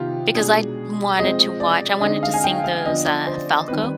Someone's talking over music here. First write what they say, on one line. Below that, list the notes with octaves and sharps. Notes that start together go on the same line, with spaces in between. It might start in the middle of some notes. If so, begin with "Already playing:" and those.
because I'd wanted to watch, I wanted to sing those, uh, Falco
Already playing: C3 D#3 B3 D#4 F4 G4
B2 G#3 D4 G#4
F3 G#3 C4 D#5
D5
D3 G#3 C4 D#4 D#5
F5
G#5
G5
F5
D3 F3 B3 D4 D#5
D5
C5
D#3 G3 C4 B4
B4